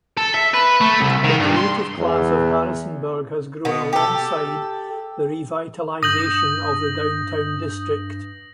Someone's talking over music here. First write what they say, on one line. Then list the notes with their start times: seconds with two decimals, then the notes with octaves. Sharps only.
The creative class of Harrisonburg has grown alongside the revitalization of the downtown district.
0.17 A4
0.34 E5
0.54 B4
0.81 A3
1.00 C2
1.24 D#3
1.40 G2
1.56 C6
1.99 E2
3.65 B2 B3
3.93 G4 A4
6.03 G2 D#6 G6 A#6 F#7